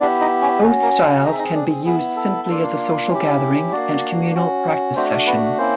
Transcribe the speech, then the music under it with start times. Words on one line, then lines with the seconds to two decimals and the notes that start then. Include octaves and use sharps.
Both styles can be used simply as a social gathering and communal practice session.
0.01 B3 D4 E4 G4 D5
0.21 D#4 D#5
0.41 C#4 C#5
0.62 C#4 C#5
0.66 F#4
0.82 A#3 A#4
1.03 A4
1.24 C4 D#4 G#4 D#5
1.32 E5
1.39 D#4 D#5
1.55 D4 D5
1.86 B3 E4 G#4
2.17 A4
2.48 A#3 D4 F4
3.10 C#4 E4 G4
3.72 A#3 D4 F#4 D5
4.35 C#4 F#4
4.96 A3 C4 D4 F#4 C5
5.27 B3 B4
5.58 A#3 C4 C#4 E4 C5